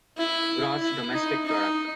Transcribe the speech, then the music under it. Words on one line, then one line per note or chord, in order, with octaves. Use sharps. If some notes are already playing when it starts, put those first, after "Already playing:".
Gross Domestic Product.
E4
E4
D#4
D#4